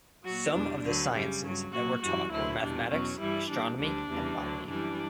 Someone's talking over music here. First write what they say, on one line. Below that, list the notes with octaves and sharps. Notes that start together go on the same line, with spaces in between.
Some of the sciences that were taught were mathematics, astronomy, and botany.
F#3 F#4
A#2
E2 B2 G3 D4
D2 D3 F#3
F#2 C#3 G3
G2 F#3
A#2 F#3 F#4
F#2 E3 G3 F#4
D2 D3 F#3 E4
E2 B2 G3 D4
E2 B2 F#3 C#4
G2 E3 G3 E4
A#2 G3 D4
D2 D3 G3 D4
E2 C#3 E3 G3
D2 D3 F#3
F#2 E3 G3 D4